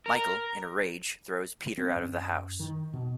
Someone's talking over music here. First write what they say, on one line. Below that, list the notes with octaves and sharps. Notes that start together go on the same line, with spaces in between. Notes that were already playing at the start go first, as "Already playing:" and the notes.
Michael, in a rage, throws Peter out of the house.
A#4
C4
F#2
D#3
B2